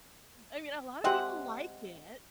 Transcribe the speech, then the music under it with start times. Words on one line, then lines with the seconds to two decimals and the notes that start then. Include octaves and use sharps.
I mean, a lotta people like it.
1.04 G#3 C4 G4 E5 F#5